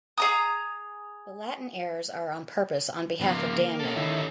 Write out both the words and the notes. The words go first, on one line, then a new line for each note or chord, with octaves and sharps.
The Latin errors are on purpose on behalf of Daniel.
G#4 A#5 D#6
C#3 F3 B3
A#3
C#4 A4
D#3 E4